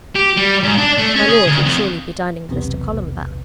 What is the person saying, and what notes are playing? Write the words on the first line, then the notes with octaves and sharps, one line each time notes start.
My lord would surely be dining with Mr. Columbell.
G4
G3
G#2
D4
A3
C#4
G#4
D2
F2
B1 E2 C3 B3